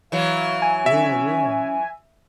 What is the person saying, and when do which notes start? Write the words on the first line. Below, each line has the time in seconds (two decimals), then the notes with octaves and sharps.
Yeah, yeah.
0.12 E3 F#3 F5
0.62 G#5
0.86 C#4 E5